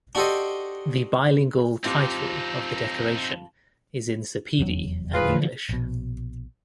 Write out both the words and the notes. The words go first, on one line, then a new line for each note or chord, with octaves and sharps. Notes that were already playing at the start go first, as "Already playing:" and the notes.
The bilingual title of the decoration is in Sepedi and English.
D4 F#4 G4 A4 C5 D#5
F2 C4 D#4 F4 G4
F1 E2 F#3
D3 E3 F3 F4 G#4 B4
A#1 B2